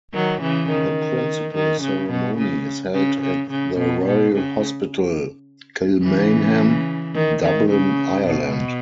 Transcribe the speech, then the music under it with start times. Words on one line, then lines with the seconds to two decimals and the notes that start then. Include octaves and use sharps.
The principal ceremony is held at the Royal Hospital Kilmainham, Dublin, Ireland.
0.14 D#3 F#3
0.42 C#3 E3
0.70 D#3
1.55 D#3
1.82 C#3
2.10 B2
2.38 C#3
2.94 C#3
3.22 C#3
3.51 C#3
3.78 B2
4.06 B2
4.34 C#3
6.02 C#3 E3
7.14 D#3
7.43 D#3
7.70 C#3
8.26 B2